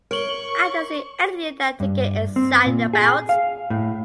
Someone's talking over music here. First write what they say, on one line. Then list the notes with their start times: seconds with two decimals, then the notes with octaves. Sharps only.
I don't see anything in that to get excited about.
0.11 A#4 C#5 C#6 F#7 G7
1.80 G2
2.36 C4
2.66 A#2
2.93 G#4
3.29 F5
3.70 A2